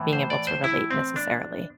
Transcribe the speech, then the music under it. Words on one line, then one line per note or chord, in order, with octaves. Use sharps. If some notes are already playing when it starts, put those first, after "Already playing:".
being able to relate necessarily.
Already playing: A2 E3
C5
D5
C5
E4
C4
D4